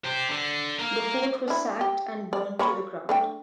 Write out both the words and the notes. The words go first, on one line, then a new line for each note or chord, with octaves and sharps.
The fort was sacked and burned to the ground.
G4 C5
D3
A#3 A#4
D4 E4
G4
D5
A#3 C#5 B5
A3 D4 G5